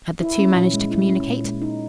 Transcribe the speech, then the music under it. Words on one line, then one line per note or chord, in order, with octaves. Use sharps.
Had the two managed to communicate?
E4
C#4
A#2
G#3
E4
C#4
A#2
G#3
D#4